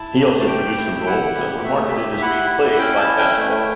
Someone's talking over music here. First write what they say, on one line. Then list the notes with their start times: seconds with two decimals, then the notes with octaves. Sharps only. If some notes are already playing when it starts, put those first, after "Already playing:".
He also produced some rolls that were marketed as being played by Fats Waller.
Already playing: E4 A5
0.19 A3
0.39 A5
0.47 G4 G5
0.77 E4
0.97 E5
1.06 E4 F#5
1.34 G4
1.63 A3 E5
1.92 G4
2.17 E5
2.22 E4 F#5
2.50 E4
2.73 F#5
2.79 C#4 G5
2.98 A5
3.08 E4
3.18 G5
3.37 A3